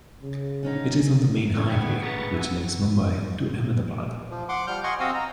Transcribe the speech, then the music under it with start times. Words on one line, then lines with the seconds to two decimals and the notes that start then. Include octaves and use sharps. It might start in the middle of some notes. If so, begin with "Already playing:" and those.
It is on the main highway which links Mumbai to Ahmedabad.
0.22 C#3
0.63 D3 C#4 D#4
1.57 D3 E3 A3 C#4 C#6 G#6
1.70 B3 G5
2.02 C#3 G#3 B3 A#5 C#6 A6
2.34 E4 F#4 G#5 E6
4.30 F3
4.49 F#5 C6 D6
4.67 F3 G3 F6 G6
4.84 D#5 F#5 G#5 C6 C#6
5.00 C4 F#4 D#5 F5 D#6 E6
5.14 A#5